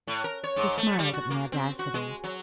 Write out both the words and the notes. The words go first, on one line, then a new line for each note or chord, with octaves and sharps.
She smiled at my audacity.
A2
A#4
C#5
G#2
A3
G3
F#4
A#3
C4
F#4
G#3
F#3